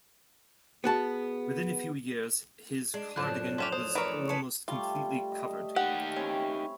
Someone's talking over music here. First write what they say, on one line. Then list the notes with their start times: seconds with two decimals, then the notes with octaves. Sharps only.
Within a few years, his cardigan was almost completely covered.
0.84 B3 F#4 G#4 A5
2.94 G#3 D4
3.16 F#2 A2 F3 F#6 E7
3.58 A3 C#4 G4 C6 E7 F7
3.72 C5 D#6
3.95 E3 A#4 C#5 D5 D7
4.29 C#4 B4 A5 C#7
4.68 G3 A3 F4
5.32 D#5 E5
5.76 D#4 G4 F#5
6.16 C4 C#4 E4 C#5